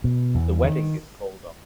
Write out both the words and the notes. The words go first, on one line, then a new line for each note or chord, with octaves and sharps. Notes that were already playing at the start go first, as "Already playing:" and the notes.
The wedding is called off.
B2
E2
D#3